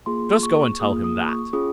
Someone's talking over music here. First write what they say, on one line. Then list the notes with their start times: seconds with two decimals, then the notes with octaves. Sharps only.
Just go and tell him that.'
0.06 A#3 F4 G#4 C6
0.43 C#6
0.80 A#3 F4 G#4 D#6
1.04 D#6
1.29 C#6
1.53 C#4 F4 G#4 D#6